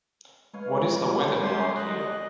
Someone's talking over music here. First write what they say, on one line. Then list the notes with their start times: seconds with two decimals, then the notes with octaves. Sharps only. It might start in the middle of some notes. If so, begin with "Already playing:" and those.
What is the weather now and here?
0.53 G#3 B4 C#5 F5
1.43 G4 C6
1.77 D#5 F#6